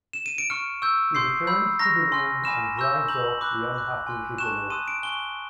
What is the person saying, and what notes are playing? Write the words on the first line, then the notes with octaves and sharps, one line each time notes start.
He returns to the room and drives off the unhappy gigolo.
E7
D#7
D7
C#6 F6 C#7
C#6 E6 G6
C6 D#6 G6 C7
B5 E6 G6
A#5 C#6 F6 A#6
G#5 C6 F6
G#5 B5 D6 F6 E7
A#5 C#6 E6 G6
A#5 D6 G6 F#7
B5 D6 F#6
B5 D6 F#6
G#5 C6 F6
A5 C#6 F#6 E7
C6 D#6 F#6 D#7
D7
G#5 C#6 F6 G7